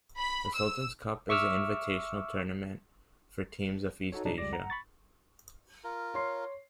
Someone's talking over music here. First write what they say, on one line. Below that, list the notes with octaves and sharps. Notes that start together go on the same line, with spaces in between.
The Sultan's Cup is an invitational tournament for teams of East Asia.
B5
E6
E5 C#6 D6 E6 F6
D#4 F#4 A4 C#5
G2 B2 F#3 D4 D#4
C#2 G3 D5 D6 A#6
F#5 A#5
B5 C#6 A6
F4 A#4
C#5 C6 C7